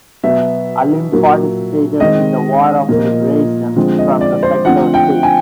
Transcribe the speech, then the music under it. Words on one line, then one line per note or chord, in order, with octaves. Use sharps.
Alim participated in the war of liberation from the sector six.
B2 F#3 B3 E5
A#2 F#3 A#3
D#3 G#3 C4 D#5
A#2 F3 A#3
D3 F3 G#3 C4
D#5
D5
C5
D3 F3 A3 C4 F#5
G5
G#5